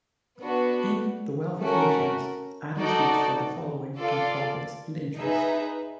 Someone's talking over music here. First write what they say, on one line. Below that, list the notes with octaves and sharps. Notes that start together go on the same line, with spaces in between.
In "The Wealth of Nations" Adam Smith said the following on profits and interest.
B3 D4 F#4 B4
A3 C#4 F#4 A#4
D#4 F#4 A4 D5
F4 A4 D5 F5
D#4 G#4 B4 E5